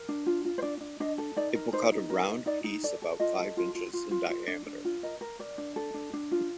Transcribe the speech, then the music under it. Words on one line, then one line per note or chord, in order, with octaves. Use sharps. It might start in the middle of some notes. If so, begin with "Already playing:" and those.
It will cut a round piece about five inches in diameter.
Already playing: A#4
D4
F4
F4
C5
D4 D5
D4
D4 D#5
A4
D#4 D5
A#4
D#4 C5
D#4
A#4
D#4
D#4 D5
D#4
A4 D5
A4
F4 D#5
A4
F4
F4
F4
F4
F4
D4
D4
F4
A#4 D#5
A#4
A#4 D5
D4
A4
D4
D4
F4